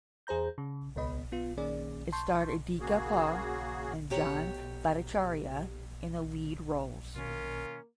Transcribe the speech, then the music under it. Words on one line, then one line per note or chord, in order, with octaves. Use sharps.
It starred Idhika Paul and John Bhattacharya in the lead roles.
E2 G#4 C5 A#5 G6
C#3
C#2 B2 B3 D#5 B5
B3 F4
D#3 A#3 C#4 G#4 D5
A5 C6 C#6 G6
C#3 A#3 F#4 G#4
D2 B2 G4 C#5 A#5
B2 D#3 A#3 C#4 F4 A#4